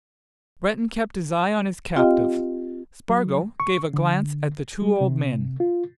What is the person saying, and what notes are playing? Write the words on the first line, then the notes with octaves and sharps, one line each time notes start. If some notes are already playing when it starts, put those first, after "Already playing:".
Breton kept his eye on his captive; Spargo gave a glance at the two old men.
C4 F4 G4 D#5 F5 G5
F#3
C#6
D3
G3
C3
F4